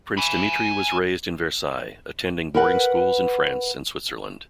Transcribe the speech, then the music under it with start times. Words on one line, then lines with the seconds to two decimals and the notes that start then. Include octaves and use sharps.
Prince Dimitri was raised in Versailles, attending boarding schools in France and Switzerland.
0.17 G#5 B5
2.55 A#4 B4 F#5